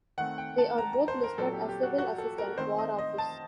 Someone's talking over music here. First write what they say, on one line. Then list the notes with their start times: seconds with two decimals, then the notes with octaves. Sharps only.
They are both listed as Civil Assistant, War Office.
0.18 D#3 A3 C4 F#5
0.38 G5
0.58 A5
0.78 A#5
0.93 A#5
1.08 C5
1.24 A#4
1.38 A#2 F#3 C4 A4
1.53 G4
1.69 G4
1.83 F#4
1.98 F#4
2.18 A4
2.38 A#4
2.58 D#3 A3 C4 C5
2.78 D#5
2.98 D#5
3.18 A5